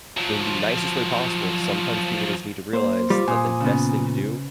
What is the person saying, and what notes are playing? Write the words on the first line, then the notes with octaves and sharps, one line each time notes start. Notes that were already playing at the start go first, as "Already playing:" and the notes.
In the nicest way possible, sometimes people just need to realize that the best thing to do
F3 F#3
A#3 C5
G3 F4 D6
A#2 G#5 D#6
C#3 B3